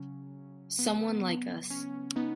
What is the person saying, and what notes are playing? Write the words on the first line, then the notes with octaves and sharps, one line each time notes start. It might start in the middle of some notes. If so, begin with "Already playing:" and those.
Someone like us.
Already playing: C#3 F#3 C#4
B3
B3
C#4
B3 D#4